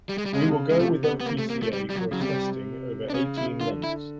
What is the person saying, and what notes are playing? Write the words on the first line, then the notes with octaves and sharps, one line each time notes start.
We will go with OPCA for a testing over eighteen months.
G3
G#3
G3
C#3 G#3
C3
C#3
C#3 G#3
C3 A3
B3
B3
A#3
A3
A#3
A3
G3
G3
F#3
C#3 F#3
C3 G3
D4
C#3 C#4
E4
D3 F4
E4